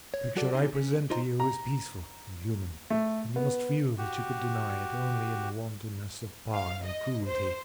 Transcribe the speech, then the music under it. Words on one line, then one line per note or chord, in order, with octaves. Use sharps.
The picture I present to you is peaceful and human, and you must feel that you could deny it only in the wantonness of power and cruelty.
C#5
F#3 G3 F#4 A4 D5
C4 D#4 G4 G#4
C#4
D#4 F4 C5 D#5 A#5 C6
A#5
A3
B3
F#4 G4
F5
D#5
C5